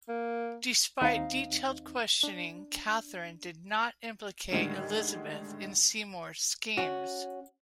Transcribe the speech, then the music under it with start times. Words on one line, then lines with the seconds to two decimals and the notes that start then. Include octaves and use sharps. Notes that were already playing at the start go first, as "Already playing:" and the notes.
Despite detailed questioning, Katherine did not implicate Elizabeth in Seymour's schemes.
0.09 A#3
1.01 D#2 C4 D#4 D#5 F5
2.23 D4
4.51 A2 D3 D#3 G3 G#3
6.77 C#4 F#4